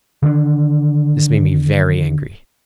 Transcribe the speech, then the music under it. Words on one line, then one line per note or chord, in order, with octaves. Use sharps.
This made me very angry.
D3 D#3 D4